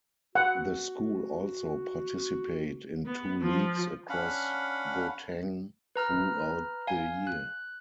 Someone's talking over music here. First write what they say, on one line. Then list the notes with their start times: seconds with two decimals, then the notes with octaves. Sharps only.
The school also participate in two leagues across Gauteng throughout the year.
0.35 F#4 F#5
3.06 B3
3.42 F3
4.09 C#4 D4 F5 F#5 B5
5.96 B4 A#5 F6
6.87 F5 G#5
7.27 F#6